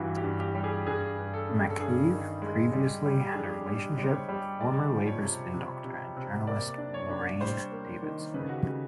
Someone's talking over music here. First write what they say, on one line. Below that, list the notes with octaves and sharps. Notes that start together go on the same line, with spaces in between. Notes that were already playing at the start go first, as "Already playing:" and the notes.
McCabe previously had a relationship with former Labour spin-doctor and journalist Lorraine Davidson.
Already playing: G2 E3 G3 F4 F#4
G4
G2
G4
G3
G#4
G2 G#4
G2
A4
C#4
A4
G2 G#4
D#3
G#3
G3
G3
G4
D4 G#4
G4
G3 G4
G3
C5
C#5
G3
G#3 D5
F3
C#5
C3
C3
C3
C3
A#3 D5
D4
C#5
D4
G3 C5
A#3
D#3
C#3 B4
F#4
G4
C#3